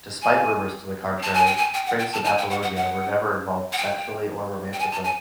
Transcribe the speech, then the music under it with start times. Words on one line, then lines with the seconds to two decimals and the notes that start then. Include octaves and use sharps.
Despite rumors to the contrary, Prince and Apollonia were never involved sexually or romantically.
0.22 G#5
1.23 A5
1.34 G#5
1.46 G5
1.57 G#5
1.74 G5
1.86 F#5
1.99 G5
2.12 A5
2.25 G#5
2.38 G5
2.50 F#5
2.63 F#5
2.76 F#5
3.72 F#5
3.77 G5
4.73 G5
4.79 G#5
4.92 A5
5.04 G#5